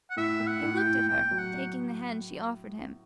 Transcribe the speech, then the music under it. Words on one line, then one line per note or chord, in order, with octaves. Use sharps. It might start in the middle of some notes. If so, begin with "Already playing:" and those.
He looked at her, taking the hand she offered him.
F#5
A2 E5
A2
F#5
A2
G5
A2
A2 G5
F#3
F#5
F#3